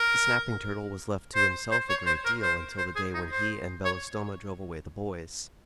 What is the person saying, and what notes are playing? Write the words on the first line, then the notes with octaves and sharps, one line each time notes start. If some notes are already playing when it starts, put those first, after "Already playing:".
The Snapping Turtle was left to himself a great deal until the day when he and Belostoma drove away the boys.
Already playing: A#4
C5
C5
C#5
C5
A#4
C5
C5
G#4
D#4
C5
C#5